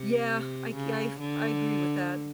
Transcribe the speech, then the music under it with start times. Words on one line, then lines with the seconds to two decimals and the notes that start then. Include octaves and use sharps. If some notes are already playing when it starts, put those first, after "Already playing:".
Yeah, I g I've I agree with that.
Already playing: C3
0.74 C#3
1.20 D3